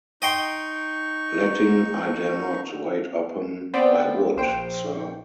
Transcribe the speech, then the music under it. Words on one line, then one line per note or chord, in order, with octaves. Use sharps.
Letting 'I dare not' wait upon 'I would', sir.
D#4 D#5 G5 C6 C#6
B3 C4 C5 D5 G5
A#1 C5 G5